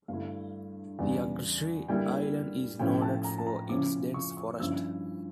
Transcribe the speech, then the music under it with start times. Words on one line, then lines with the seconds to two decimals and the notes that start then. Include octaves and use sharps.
Yagishiri Island is noted for its dense forest.
0.08 G2 D3 A3 E4 F5
0.99 E2 C#3 G3 D4
1.88 D3 G3 A#3 E4 G5
2.79 A2 F3 C#4 E4 G5
3.02 A5
3.24 A#5
3.38 A5
3.47 A#5
3.69 C#3 F3 C#4 E4 D6
4.14 C#6
4.37 C#6
4.60 G2 F3 C#4 E4 E6